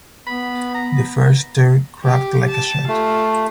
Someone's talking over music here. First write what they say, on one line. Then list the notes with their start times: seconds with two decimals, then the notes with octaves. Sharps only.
The first stair cracked like a shot.
0.27 B3 B5
0.75 A#5
2.04 G4
2.50 A5
2.88 A3 F4